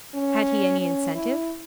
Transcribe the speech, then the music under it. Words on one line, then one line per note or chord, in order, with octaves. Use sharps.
Had he any incentive?
C#4
C#4
E4